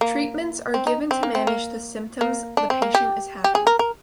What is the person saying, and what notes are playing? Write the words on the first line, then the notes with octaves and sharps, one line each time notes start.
Treatments are given to manage the symptoms the patient is having.
A#3
C4
D#4
C4
A#3
C4
A#3
A#3
D4
C4
A#3
G4
G4
G#4
A#4
A#4